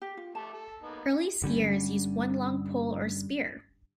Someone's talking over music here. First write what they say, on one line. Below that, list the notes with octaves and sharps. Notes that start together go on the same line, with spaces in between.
Early skiers used one long pole or spear.
G4
F4
A3 G4 A5
A4
A#3 B3 D#4
G1 D3 G3 C#4